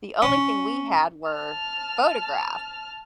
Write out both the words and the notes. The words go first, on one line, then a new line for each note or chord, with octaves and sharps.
the only thing we had were photographs,
C#4
A5 F6